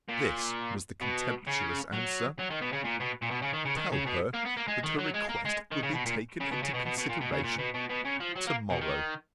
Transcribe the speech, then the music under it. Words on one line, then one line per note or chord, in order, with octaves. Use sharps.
This was the contemptuous answer: 'Tell her, that her request will be taken into consideration to-morrow.'
A#2
B2
C#3
F#3
F#3
D#3
B2
C#3
A#2
B2
A#2
B2
C#3
D#3
C#3
D#3
C#3
B2
A#3
B3
A#3
G#3
D#3
F#3
G#3
A#3
G#3
D#3
C#3
B2
A#2
C#3
B2
C#3
B2
B2
B2
A#2
B2
C#3
A#2
B2
B2
B2
C#3
F3
F#3
A#3
B2
D#3